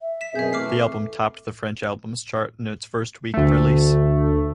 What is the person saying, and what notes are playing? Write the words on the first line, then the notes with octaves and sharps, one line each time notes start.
The album topped the French Albums Chart in its first week of release.
E5
B6 E7
F#2 B2 C4 G#4 E5 G6
E3 A3 D6 F6 C7
A4
D2 A3